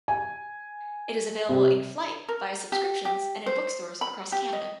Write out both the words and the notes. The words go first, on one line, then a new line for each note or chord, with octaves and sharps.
It is available in-flight, via subscriptions, and in bookstores across Canada.
G#5
C3
A#4
G4
G4
C5
B5
G4
D#5